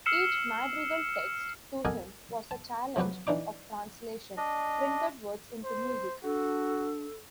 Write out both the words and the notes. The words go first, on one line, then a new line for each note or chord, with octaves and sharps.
Each madrigal text, to him, was a challenge of "translation": printed word into music.
E6 F6 C7 C#7 E7
G4 A4 A#4 D#5 F#5 G#5
A5
C3 F3 F#3 G4 B4
E3 D4 D#4 D6
D4 D#5
C5
D4 F#4 A4